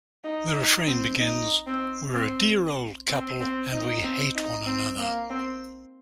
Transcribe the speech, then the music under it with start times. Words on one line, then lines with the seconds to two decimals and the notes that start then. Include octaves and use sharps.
The refrain begins, We're a dear old couple and we hate one another.
0.24 D#4
0.56 D#4
0.87 C4
1.19 D#4
1.67 C4
2.14 C4
3.09 C4
3.40 C4
3.72 D#4
4.04 C4
4.35 D#4
4.67 C4
4.98 A#3
5.30 C4